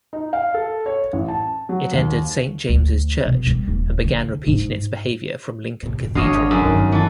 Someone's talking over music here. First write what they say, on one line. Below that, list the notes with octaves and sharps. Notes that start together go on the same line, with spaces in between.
It entered Saint James' Church and began repeating its behaviour from Lincoln Cathedral.
D#4
F5
A4
C#5
A1
A5
F#3
D#2
D2
B2
G3
D#1
D3
G#2
C2 A2
F1
G#1 D3 C#5 D#5 F5
F#2
G1 G2 D#3
E3 A4